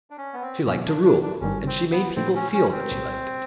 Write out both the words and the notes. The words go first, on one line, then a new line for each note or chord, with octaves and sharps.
She liked to rule, and she made people feel that she liked it.
D4
C#4
B3
C4
B2 F#3 B3 C#4
D4
D4
D4
G#1 G2 D#3 G3 C#4
C4
B3
A#2 F3 A3 C4 D4
C#4
C#4
C4
C2 A#2 G3